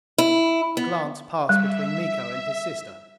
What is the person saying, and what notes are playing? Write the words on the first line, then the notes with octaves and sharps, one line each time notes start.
A glance passed between Miko and his sister.
E4
B3
G3 E5